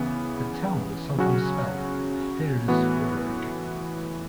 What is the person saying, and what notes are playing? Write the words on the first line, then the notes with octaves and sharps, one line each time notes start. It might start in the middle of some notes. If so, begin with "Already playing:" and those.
The town is sometimes spelled Ferrisburg.
Already playing: C#3 E3 B3
C#3 F#3 C#4 F#4
A2 E3 B3 F#4